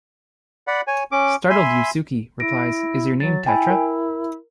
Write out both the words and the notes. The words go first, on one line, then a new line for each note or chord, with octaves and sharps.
Startled Yusuke replies Your name is Tetra?
D5 F#5 B5
C#5 G#5
C#4 D6
E5 G#5 B5 C6
E4 A#6 D7
F#3 A6
E4 G5 G#5 B5
A#4